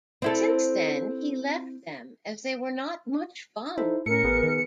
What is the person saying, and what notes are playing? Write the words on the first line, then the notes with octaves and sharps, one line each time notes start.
Since then, he left them as they were not much fun.
C4 E4 A4
D#4 E4 A4 C5
A2 A3 C#4 A#4 C#7
A1 B3 G#4 B4
D#3